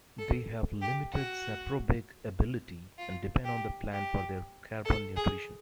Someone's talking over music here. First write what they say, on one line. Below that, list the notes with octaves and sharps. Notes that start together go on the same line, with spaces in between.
They have limited saprobic ability and depend on the plant for their carbon nutrition.
A4
G4
F#4
F4
G4
G4
A4
G#4